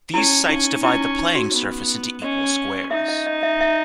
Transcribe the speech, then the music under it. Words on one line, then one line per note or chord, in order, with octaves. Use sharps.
These sights divide the playing surface into equal squares.
C#4 E4
C#4 D#4
C#4 E4
D#4
D#4
F#4
B3
C#4 D#5
D#4 E5
D#5
D#5
E5
E5